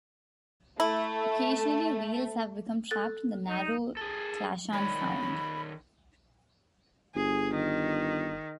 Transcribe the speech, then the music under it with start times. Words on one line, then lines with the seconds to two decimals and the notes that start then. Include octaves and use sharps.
Occasionally whales have become trapped in the narrow Clachan Sound.
0.80 A3 E4
2.91 A4 F#6 A6
3.45 D#4 A#5
3.97 G#4 A4
4.72 D#3 C#5 D5 B5
7.15 G1 G#4
7.54 D#3